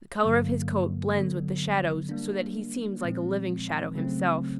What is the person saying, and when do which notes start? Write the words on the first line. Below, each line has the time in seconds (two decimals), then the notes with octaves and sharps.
The color of his coat blends with the shadows so that he seems like a living shadow himself.
0.23 G2 D3 F#3 A#3
1.16 D3 F#3 B3
2.09 G3 A#3 D4
3.01 A#2 F3 G#3 C4
3.95 C#3 F#3 A3 C4